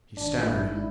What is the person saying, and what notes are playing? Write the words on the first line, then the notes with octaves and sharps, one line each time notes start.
He stammered.
G#1 D4
E4
G#2
E4